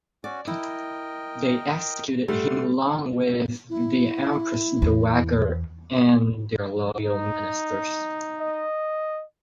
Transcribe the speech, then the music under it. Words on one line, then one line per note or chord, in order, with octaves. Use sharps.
They executed him along with the Empress Dowager and their loyal ministers.
C#4 F#4 D5
E4 A#4 D#5 G5
G3 A3 F#5 C6
E4
E2
D#4
D#5